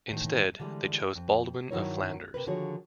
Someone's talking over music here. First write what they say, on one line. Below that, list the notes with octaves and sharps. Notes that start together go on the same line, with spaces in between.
Instead, they chose Baldwin of Flanders.
A2 D#3 E3
D3 E3 G3 G#3
F2
G2 D#3 F#3 E4 A#4 C#5
C3 A#4 B4
D3 D#3 F3 F#4 G#4 C#5